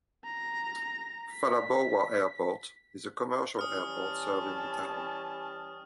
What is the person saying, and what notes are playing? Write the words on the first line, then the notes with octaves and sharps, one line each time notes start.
Phalaborwa Airport is a commercial airport serving the town.
A#5 A#6
B6
E3 G3 C#4 D#6 F6
A5